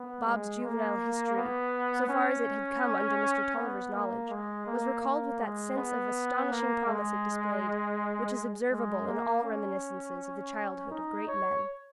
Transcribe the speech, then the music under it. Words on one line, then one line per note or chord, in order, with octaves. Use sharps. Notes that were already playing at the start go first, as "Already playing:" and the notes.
Bob's juvenile history, so far as it had come under Mr. Tulliver's knowledge, was recalled with that sense of astonishing promise it displayed, which is observable in all reminiscences of the childhood of great men.
Already playing: B3
G#3
A#3
B3
C#4
B3
A#3
G#3
A#3
A#3
G#3
B3
A#3
G#3
G#3
A#3
C#4
D#4
C#5